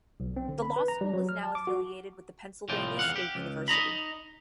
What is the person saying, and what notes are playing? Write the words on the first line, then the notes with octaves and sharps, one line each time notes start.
The law school is now affiliated with the Pennsylvania State University.
B1
C4
D3
B5
B4
A#5
G3
F#3
F6
A5
D6
F#4
C2 A2 F3 D5 G5
E2 G#3 F5 F#5
G4
C#2
D#4 D#5 A#5 B5